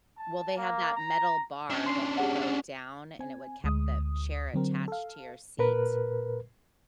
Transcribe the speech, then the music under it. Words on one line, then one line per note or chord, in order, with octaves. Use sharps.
Well, they have that metal bar that would go down, and it would kept the chair attached to your seat?
A5
A#3
A#5
C#4 D4
C6 C7
G4 G#4 F#5
C4 G#5
D2 G#3 D#6
D3 F#3 C4 A#4
A4 F5
A#2 A#4 B4